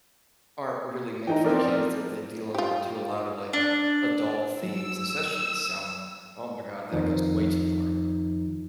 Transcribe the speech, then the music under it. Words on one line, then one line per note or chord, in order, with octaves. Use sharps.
aren't really meant for kids. They're they're dealing to a lot of, like, adult themes, especially South Park. Oh, my God, that goes way too far.
E3 D#4 G5 A#5
F3 B3 C4 A#4 D5
F4 G4
D4
F#3 E6
F2 D#3 F3 D#4